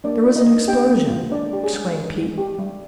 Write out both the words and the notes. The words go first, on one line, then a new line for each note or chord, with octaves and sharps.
"There was an explosion!" exclaimed Pete.
A#3 D4 D5
F4
D#4 D#5
A#3
D4 G4 G5
A#3
F4
G#3 D4 D5
G4
G#4
G#3
D#4
G#3
G4
G3